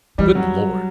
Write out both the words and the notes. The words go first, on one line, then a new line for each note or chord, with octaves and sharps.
Good Lord!
E3 G3
F#3